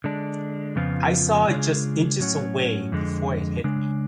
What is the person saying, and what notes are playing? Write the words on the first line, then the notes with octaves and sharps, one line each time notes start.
I saw it just inches away before it hit me.
D3 G#3 D4
F2 C#3 F3 B3 F4
C#3 G#3 D4 F4 G#4
A2 F#3 C#4 F#4
F2 D3 G#3
C#3 G#3 D4